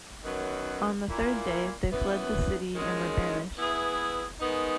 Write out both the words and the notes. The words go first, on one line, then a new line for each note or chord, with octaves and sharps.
On the third day they fled the city and were banished.
F#2 D#3 F#3 B3
A#2 A#3 E4
F#2 E3 B3
F#2 D#3 G#3 D#4
E3 B3 E4 G#4
D#3 G#3 B3 D#4